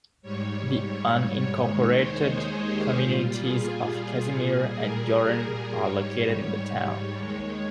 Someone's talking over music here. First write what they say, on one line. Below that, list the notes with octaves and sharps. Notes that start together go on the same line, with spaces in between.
The unincorporated communities of Casimir and Jordan are located in the town.
G#2 G3 C#5
C#5
C#5
C#5
D#2 D#3 G#3 C#5
C5
G#4
G4
A#2 G3 F4
G#4
A#2 G3 G#4
A#4
G#2 G3 C#5
C#5
D#2 D#3 G#3